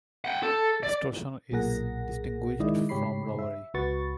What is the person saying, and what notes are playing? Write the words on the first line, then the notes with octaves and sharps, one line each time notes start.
Extortion is distinguished from robbery.
F#5 G5
A4
D5
B1 A#2 G#4 A#4 F#5 A#6
D#3 G#3 E4 D5 D#5
G#2 C#3 G4 C#5 B5 C7
E5
C#2 F#4 B4 C#6 A6